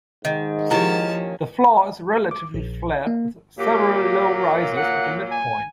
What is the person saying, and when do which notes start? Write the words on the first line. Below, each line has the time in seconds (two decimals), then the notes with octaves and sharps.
The floor is relatively flat with several low rises at the midpoint.
0.25 G#2 D#3
0.71 D#3 F3 A#3 C#4 E4 G4 A5
2.31 D6
2.54 A#1
3.07 A#3
3.59 A#2 F#3 A#3 G4
4.76 F#5
5.31 G#5